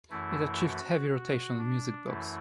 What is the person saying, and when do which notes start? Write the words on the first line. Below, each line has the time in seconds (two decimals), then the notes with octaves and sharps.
It achieved heavy rotation on "Music Box".
0.10 F#2 E3 A3 E4
0.60 F#4
1.09 F#4
1.58 D4
2.07 F#2 E3 A3 E4